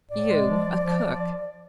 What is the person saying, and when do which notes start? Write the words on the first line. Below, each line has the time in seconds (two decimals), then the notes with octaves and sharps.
'You a cook!
0.09 A2 D5
0.28 G#3
0.47 F3
0.65 F3
0.84 F3
1.03 F3